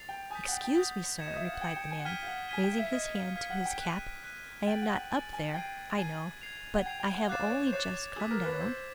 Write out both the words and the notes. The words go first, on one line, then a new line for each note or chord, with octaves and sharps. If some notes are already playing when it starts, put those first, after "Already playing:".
"Excuse me, sir," replied the man, raising his hand to his cap; "I am not up there, I know, but I have only just come down."
Already playing: A6 C7 F7
G5
G#5 D#6 G6 B6
F#5
G5
G5
F#5 D#6 G6 B6
G#6 C#7 E7
D#5
E5
F5
F#5
G5 G#6 C#7 E7
G5
G#5
F#5
G5 F6 G#6 B6 D#7 G7
F5
F#5
G#5 F6 G#6 B6 D#7 G7
G5
F5
E5
D#5 F6 G#6 B6
F5
F5 F6 G#6 B6
F#5
F#5
G5
F#6 B6 D#7
F#6 B6 D#7
G5 A6 D7 F#7
F#5
G5
G#5 A6 D7 F#7
G#5
G5 G#6 C7 D#7
G#5 G#6 C7 D#7
G#6 C7 F7
F#5
G5 G#6 C7 F7
G5
F#5
F5 D6 F#6 A6 C7 E7
D5
C#5
C5
C#5 D6 F#6 A6 C7 E7
G#4 E6 G#6 B6
A#4
B4
C#5
C5 E6 G#6 B6